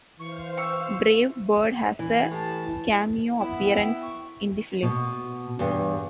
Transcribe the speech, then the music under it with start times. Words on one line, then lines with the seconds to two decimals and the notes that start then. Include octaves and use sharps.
Brave Bird has a cameo appearance in the film.
0.19 E3 C5 F5 C#6
0.57 C#6 E6
1.99 E3
2.31 A2 G4 A5
3.40 B3 E4
3.64 G5
4.02 C#6
4.83 B2
5.59 E2 G2